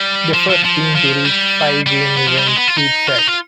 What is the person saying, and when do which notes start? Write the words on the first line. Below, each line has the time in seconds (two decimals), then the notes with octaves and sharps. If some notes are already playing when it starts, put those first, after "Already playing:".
The first team to reach five games wins each set.
Already playing: G3
0.34 F3
0.50 F3
0.64 F3
0.95 F3
1.25 G3
1.86 G3
2.17 B3
2.27 F3
2.37 G3
2.47 G#3
2.56 B3
2.68 F4
2.78 D#4
3.07 F4
3.18 D#4
3.27 F4